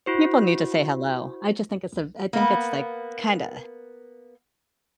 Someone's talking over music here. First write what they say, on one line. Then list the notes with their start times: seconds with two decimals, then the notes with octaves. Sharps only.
People need to say hello. I just think it's a I think it's like kinda
0.06 E4 F#4 C5
2.33 A#3 B3